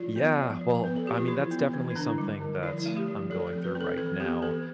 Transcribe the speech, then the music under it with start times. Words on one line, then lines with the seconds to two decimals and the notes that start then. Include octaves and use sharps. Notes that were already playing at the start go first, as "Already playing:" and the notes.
Yeah, well, I mean, that's definitely something that I'm going through right now.
Already playing: F3 F4
0.16 B3
0.39 F3
0.61 F3
0.84 B3 B4
0.96 A4
1.06 F3 G4
1.18 F4
1.28 E3 E4
1.51 B3
1.73 E3
1.90 E4
1.96 D3 D4
2.18 G3
2.41 D3
2.63 F3 E4
2.86 A3
2.97 G4
3.08 F3
3.30 F3 A4
3.47 A4
3.53 C4
3.64 B4
3.75 C4
3.81 A4
3.98 E3 A4
4.20 B3 G4
4.42 E3 A4